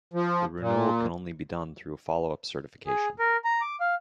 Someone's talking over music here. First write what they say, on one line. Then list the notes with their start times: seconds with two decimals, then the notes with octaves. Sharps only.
The renewal can only be done through a follow-up certification.
0.14 F3
0.60 A#2
2.87 G#4
3.19 A#4
3.45 A#5
3.61 D6
3.80 F5